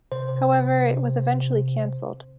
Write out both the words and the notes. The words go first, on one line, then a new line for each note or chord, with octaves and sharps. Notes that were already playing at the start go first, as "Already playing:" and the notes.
However, it was eventually cancelled.
C3 C5